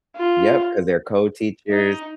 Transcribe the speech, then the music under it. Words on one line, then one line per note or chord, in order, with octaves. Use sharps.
Yep, 'cause they're co-teachers
F4
D#4